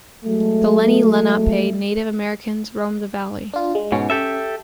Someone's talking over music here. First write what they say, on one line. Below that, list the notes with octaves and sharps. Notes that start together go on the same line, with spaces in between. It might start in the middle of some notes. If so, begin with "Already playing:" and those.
The Lenni Lenape Native Americans roamed the valley.
F#3 G#3 A3
D4 F4
G#3
G#2 B2 C#4
G4 A4 E5